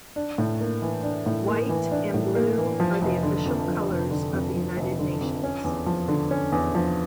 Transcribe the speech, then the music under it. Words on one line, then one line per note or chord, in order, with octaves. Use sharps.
White and blue are the official colours of the United Nations.
D4
A2
A#3
E3
D4
A2
A#3
E3
D4
A2
A#3
E3
F3
F1
D3
F2
F3
F1
D3
F2
F3
F1
D3
F2
C#4
E2
F3
D3
C#4
E2
F3